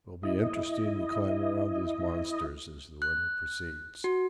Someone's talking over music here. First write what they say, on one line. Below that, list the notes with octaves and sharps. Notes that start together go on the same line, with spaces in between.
It will be interesting to climb around these monsters as the winter proceeds.
E4 D#5
F#6
F#4